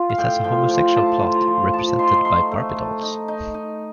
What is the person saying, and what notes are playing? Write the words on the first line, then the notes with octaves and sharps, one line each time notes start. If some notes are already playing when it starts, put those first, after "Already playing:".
It has a homosexual plot, represented by Barbie dolls.
Already playing: F4
F5
A2 G5
F3 G5
F3 G5
A2 A5
F4
A#5
F3
F3 A5
D#4 C6
A3 C6
A3
A3
D#4
D#4
D#4